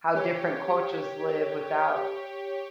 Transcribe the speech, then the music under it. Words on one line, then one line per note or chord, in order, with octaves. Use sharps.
how different cultures live without,
G4 C#5